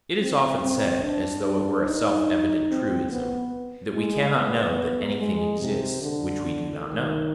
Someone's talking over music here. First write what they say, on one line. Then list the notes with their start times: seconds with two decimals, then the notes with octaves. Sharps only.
It is often said, as though it were a self-evident truism, that we cannot know that anything exists which we do not know.
0.21 C4
0.62 C4
1.03 D4
1.46 D4
1.87 D#4
2.70 C4
3.11 B3
3.94 G#3
4.36 B3
5.19 G#3
5.60 C3
6.01 D3
6.85 D#3